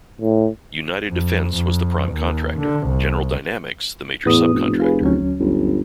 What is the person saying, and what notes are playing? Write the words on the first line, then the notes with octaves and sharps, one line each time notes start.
United Defense was the prime contractor; General Dynamics the major subcontractor.
A2
F2
F2
D#2
D3
C2
E2 A2 B3 D#6
F1
F4 G#4 B4
D2 F#3 C#4
G1